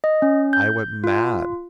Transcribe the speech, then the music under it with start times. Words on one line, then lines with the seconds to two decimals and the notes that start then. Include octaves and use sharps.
I went mad!
0.04 D#5
0.22 C#4
0.53 G6
1.04 F4